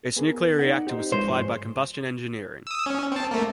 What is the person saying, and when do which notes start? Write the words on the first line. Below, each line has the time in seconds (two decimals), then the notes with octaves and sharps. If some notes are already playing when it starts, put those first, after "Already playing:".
Its nuclear reactor was supplied by Combustion Engineering.
0.16 B3 G#4 A#4
0.59 D#4 D5 F#5
0.87 C4 D#4 G4 C5
1.12 G#3 C5 C#5
1.28 G#2 F3 G#3 G#4
2.67 D#6 E6
2.86 C#4
3.12 C4 A5
3.31 A3 A#3